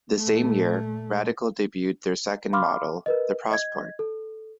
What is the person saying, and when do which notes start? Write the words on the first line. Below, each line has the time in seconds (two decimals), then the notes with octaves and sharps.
The same year, Radical debuted their second model, the Prosport.
0.18 A#2 A3
2.53 F5 B5 C6 D6 F6
3.06 A#4 B4 D#5
3.50 D#5 G#6
3.99 A4